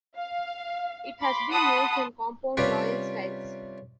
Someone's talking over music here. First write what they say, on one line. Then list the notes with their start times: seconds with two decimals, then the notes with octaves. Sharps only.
It has been used in compound royal styles.
0.18 F5
1.20 B5 C6 D6
1.50 F#5 A5 B5 C6 D#6
2.57 C3 G3 C#4 F4 G4 B4